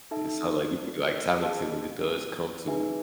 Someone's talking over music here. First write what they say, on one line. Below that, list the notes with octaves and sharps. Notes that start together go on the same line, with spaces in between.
it sounds like you feel, like, talented when it does come to it.
D#4 A4 E5 A5
G#4 D#5 A5
D#4 G#4 B4 E5 G#5